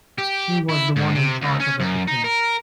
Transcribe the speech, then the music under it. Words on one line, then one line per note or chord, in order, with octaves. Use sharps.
She was the one in charge of everything.
G4
E4
G#2
C3
C#2
C#4
F#2
D#4
A#4